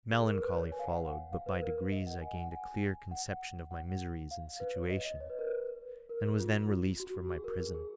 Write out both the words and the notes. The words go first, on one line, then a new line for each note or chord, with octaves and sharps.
Melancholy followed, but by degrees I gained a clear conception of my miseries and situation and was then released from my prison.
G#4
A#4
B4
C#5
G#5
F5
F#5
F5
B4
A#4
D#5
F#5
G#5
F#5
G#5
F#5
F#5
F5
B4
C#5
D#5
D#5
C#5
B4
A#4
B4
A#4
G#4
F4
F#4
F#4
G#4
A#4
G#4
G#4